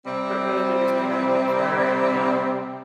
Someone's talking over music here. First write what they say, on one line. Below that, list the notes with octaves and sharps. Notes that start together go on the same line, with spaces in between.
but, really, they're just kinda looking for, you know,
C3 G3 C4